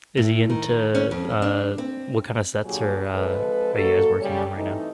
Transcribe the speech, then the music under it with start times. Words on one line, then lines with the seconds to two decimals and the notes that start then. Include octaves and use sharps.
is he into, uh, what kind of sets are, uh, are you guys working on right now?
0.17 A2
0.50 D#3
0.95 C#4
1.11 F2
1.42 D4
1.78 C4
2.65 A#2 D3 F#3 F4 G4 G#4
3.14 C3 F3 G#3 A4 B4
3.74 F#3 A#3 F#4 A4
4.20 C#3 G3 C#4
4.55 G2 C3 E3 A3 D#4